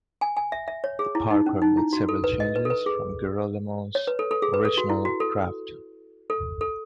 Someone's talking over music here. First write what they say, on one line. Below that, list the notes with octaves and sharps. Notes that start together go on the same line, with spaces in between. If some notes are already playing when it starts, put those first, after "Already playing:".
Parker made several changes from Gerolmo's original draft.
G#5
G#5
E5
E5
C#5
G#4
E4
D#4
C#4
D#4
E4
F#4
A4
B4
D#5
B4
A4
B4
G#4
C#5
B4
A4
A4
G#4
B4
A4
F#4
E4
F#4
A4
A4
A4